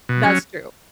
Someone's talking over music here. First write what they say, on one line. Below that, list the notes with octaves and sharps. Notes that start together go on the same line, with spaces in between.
That's true.
B2
F#3 C#4